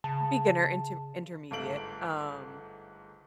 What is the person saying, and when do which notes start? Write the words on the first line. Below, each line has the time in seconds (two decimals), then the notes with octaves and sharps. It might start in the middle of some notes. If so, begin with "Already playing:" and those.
beginner inter intermediate, um,
0.04 C#3 A5
1.51 G1 G#2 A3 F5 D7 F#7